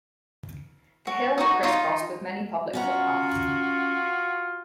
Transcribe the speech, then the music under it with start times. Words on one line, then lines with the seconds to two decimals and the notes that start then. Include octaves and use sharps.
The hills are criss-crossed with many public footpaths.
1.07 F#4
1.38 D#4 F#4
1.63 D#4 F4
2.73 C#4 F4 F#4 F#5 A#5